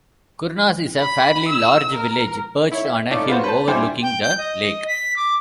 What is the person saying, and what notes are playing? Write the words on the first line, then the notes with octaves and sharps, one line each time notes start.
Kournas is a fairly large village perched on a hill overlooking the lake.
B5
E6
A#4
E4 C#5
E5
A3 C#4 D#4 F4 D5
B3 F4 F#4 C5
B4 C5 A5
G2 G3 E4 C5 G5 G#5
G5
G6
D#5
B6
D6